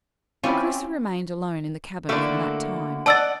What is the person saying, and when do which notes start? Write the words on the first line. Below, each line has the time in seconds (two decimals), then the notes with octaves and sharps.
Chris remained alone in the cabin from that time.
0.43 C4 C#4 E4 F4 G4 D5 B5
2.09 D3 A3 A#3 E4 F#4
3.06 D5 D#5 F#5 A5 E6 A6